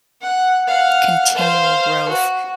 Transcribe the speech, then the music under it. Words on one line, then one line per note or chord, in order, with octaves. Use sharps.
continual growth,
F#5
F5 F#5
C5 F5
F#4